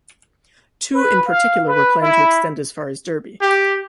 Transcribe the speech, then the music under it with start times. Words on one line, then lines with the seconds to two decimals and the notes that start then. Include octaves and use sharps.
Two in particular were planned to extend as far as Derby.
0.94 B4
1.27 F5
1.67 B4
2.01 E4
3.42 G4